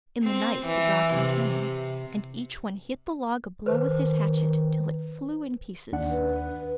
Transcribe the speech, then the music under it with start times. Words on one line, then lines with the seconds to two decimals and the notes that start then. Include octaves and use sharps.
In the night the Draken came, and each one hit the log a blow with his hatchet, till it flew in pieces.
0.23 C4
0.66 E3
1.14 C3
3.66 D#3 B4 C5
5.92 D#2 D4 F#5
6.11 B4